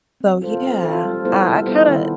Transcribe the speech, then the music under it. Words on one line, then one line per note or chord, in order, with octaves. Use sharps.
So, yeah, I I kinda
C4
F4 A4 C5
C4
F4 A4 C5
G3
B3 E4 A4 C5
G3
B3 E4 A4 C5
D#3